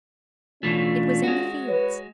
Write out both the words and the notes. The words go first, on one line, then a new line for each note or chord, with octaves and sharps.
It was in the fields.
B2 E3 A3 C#4 D4 F4
G#3 F#4
B4 C#5